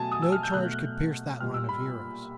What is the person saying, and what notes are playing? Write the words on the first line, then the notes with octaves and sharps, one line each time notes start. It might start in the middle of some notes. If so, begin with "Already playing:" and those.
No charge could pierce that line of heroes.
Already playing: B2 F#3 A3 G#5 A5
D#6
E6
F6
G6
B2 F#3 A3 F#6
A#2 G3 F6
E6
B5